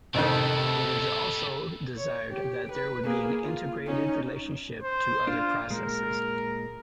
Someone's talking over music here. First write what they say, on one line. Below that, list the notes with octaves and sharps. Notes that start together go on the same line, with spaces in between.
It is also desired that there would be an integrated relationship to other processes.
A1 F2 C3 D#3 G3 A3 A4
C#5
G4
B4
A#3 G#4
F4
C#4 D#4
C5
D4 F4
A#2 G#3 A#4